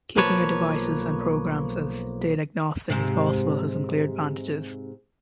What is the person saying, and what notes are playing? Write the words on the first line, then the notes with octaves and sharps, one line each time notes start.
Keeping your devices and programs as data agnostic as possible has some clear advantages.
B1 F3 A#3 B4 C#5 A5
G#2 C3